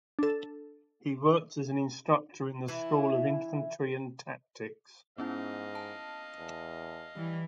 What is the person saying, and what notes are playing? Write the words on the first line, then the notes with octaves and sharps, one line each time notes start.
He worked as an instructor in the School of Infantry and Tactics.
D4 A4
E3 E4
G#2 B3 C#4 E4 D#5 F5
A5
E2
E3 G3